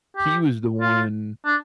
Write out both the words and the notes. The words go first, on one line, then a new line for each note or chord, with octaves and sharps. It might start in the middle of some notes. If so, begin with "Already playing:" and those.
he was the one
G4
F4
D4